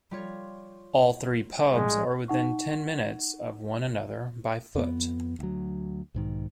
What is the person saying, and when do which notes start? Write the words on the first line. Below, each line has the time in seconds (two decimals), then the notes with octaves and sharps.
All three pubs are within ten minutes of one another by foot.
0.11 G3 F4 C#5
1.73 A#1 A2 G3 G#3
2.28 D#4 F#5 C#6
4.75 F2 B3
5.39 D2 F#3
6.15 B1 G#2 D#3